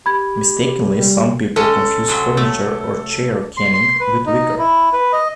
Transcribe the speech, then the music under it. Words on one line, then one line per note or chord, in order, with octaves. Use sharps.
Mistakenly some people confuse furniture or chair caning with wicker.
G4 B5 G#6
G3
G#3 C#4 A4
C3 F#3 G#3
A3
C6
C6
B4
D#4
E4
B4
D#5